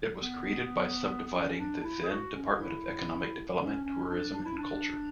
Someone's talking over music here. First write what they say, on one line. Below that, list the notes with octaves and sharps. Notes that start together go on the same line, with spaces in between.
It was created by subdividing the then Department of Economic Development, Tourism and Culture.
B3
B3
C#4
D4
E4
G#4
F#4
C#4
F#4
E4
C#4
C#4
D4
D4
E4
D4